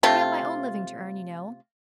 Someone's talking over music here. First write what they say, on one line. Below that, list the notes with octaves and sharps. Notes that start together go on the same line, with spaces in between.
I have my own living to earn, you know.
C3 A3 F4